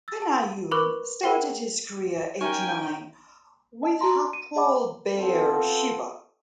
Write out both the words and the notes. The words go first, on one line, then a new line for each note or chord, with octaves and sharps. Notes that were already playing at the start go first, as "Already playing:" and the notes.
Benayoun started his career aged nine with Hapoel Be'er Sheva.
E6 A6
G#4 A5
A#4 B4 B5 C#6 D6 F#6
G#4 A#4 C5 F#5 G5
C#4 D#4 A#4 E5 G5 G#5 A#5 C#6
D#5 A5
F#4 A#5 C6
D#7
G#4 D#5 F#5 B5 D6
B3 C4 F4 A4